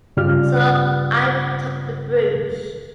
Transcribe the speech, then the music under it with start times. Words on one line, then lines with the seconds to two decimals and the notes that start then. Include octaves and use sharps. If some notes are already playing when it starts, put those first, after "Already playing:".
So I took the brooch.
0.17 G2 C#3 F4 G4 D5 F6